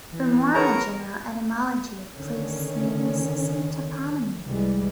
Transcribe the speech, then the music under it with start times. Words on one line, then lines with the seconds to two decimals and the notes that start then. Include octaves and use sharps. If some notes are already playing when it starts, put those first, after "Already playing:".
For more on the general etymology of place names see toponymy.
0.12 E3
0.54 G#4 A#4 B4 C#5 F#5 A5 A#5
2.12 D3 D#3 C#4
4.45 C2 E3 G3 G#3